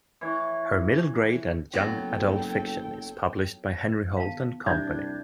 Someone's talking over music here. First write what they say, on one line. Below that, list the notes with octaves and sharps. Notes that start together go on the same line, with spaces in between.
Her middle grade and young adult fiction is published by Henry Holt and Company.
E3 C#5
F#1 F#3 B3 A4 G5
D#3 B3 F5 A5
C2 G3 D4 E5 G6 G#6